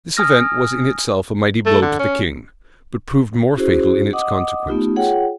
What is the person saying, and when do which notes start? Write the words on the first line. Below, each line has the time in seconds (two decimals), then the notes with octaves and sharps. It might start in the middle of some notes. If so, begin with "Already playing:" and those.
This event was in itself a mighty blow to the king; but proved more fatal in its consequences.
0.17 G#5 D#6 F6 A#6
1.66 A3
1.82 D3
1.99 C#4
3.55 C#4 E4 F#4 G#4 C5
4.13 D#5 F#5 D6 D#6
4.67 A3 B3 D#4 F4 G4
4.96 F4 G#4 C#5 F#5 G5